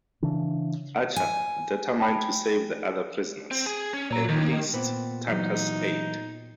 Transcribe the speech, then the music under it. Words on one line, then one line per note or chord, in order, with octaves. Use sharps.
Archer, determined to save the other prisoners, enlists Tucker's aid.
C#3 E3 D4
G#5
D#4 G5 B5
C4
G#4
C#4
A#2 C#5 A#5
D#2 D#3
A#3
A#2 B3 C4
E3 F#3 D#4